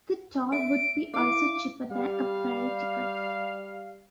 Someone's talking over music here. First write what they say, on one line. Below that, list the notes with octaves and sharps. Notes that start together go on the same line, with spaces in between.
The toll would be also cheaper than a ferry ticket.
E5 D7
E4 F5 D6
G3 F5